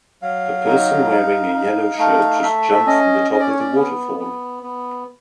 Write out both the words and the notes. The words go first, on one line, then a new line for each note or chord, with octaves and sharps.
A person wearing a yellow shirt just jumped from the top of the waterfall.
F#3 F5
D#4
D#4
D#4
A3 F5
A3 E5
E5
C#4 D#5
C#4 D#5
D5
C#5
D5
B3
B3
B3